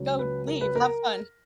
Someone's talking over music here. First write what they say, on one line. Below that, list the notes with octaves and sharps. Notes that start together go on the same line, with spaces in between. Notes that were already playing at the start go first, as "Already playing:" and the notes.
go, leave, have fun."
Already playing: C#2 C#3 F#3
B4
A#4
B4
A#4